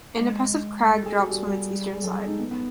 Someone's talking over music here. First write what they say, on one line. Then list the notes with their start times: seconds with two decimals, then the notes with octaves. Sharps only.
An impressive crag drops from its eastern side.
0.20 G#3
0.94 A4
1.06 G#4
1.18 F#4
1.30 G3 G4
1.93 G#4
2.03 F#3 A4
2.15 G3 G#4
2.27 G#3 D#4
2.39 B3
2.51 B3